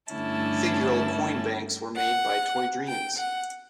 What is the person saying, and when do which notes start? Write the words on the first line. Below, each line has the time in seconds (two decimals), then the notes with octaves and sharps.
Figural coin banks were made by Toy Dreams.
0.11 G2 D3 A3 C#4 E4 A5
1.95 F#5
2.87 G5
3.18 F#5